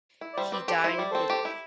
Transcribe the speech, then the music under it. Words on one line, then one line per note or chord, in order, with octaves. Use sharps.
He died in Italy.
E4
D5
G3 C5 E5
C4 B4 D5
G4 A4 C5
E4 C5
G3 D5
C4 A4 C5
G4
E4